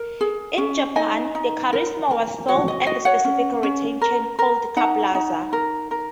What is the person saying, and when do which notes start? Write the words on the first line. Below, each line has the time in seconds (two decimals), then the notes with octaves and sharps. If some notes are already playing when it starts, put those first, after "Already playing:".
In Japan, the Carisma was sold at a specific retail chain called "Car Plaza".
Already playing: A#4
0.21 G#4
0.58 C#4
0.96 D#4 D#5 G#5
1.35 D#4
1.73 A#4
2.11 A#4
2.48 F#4 C#5 F#5
2.68 D#5
2.86 F#4 D#5
3.05 C#5 F#5
3.25 C#4
3.63 C#4
4.01 A#4
4.39 A#4
4.76 D#4 F#5 A#5
5.15 D#4
5.53 A#4
5.91 A#4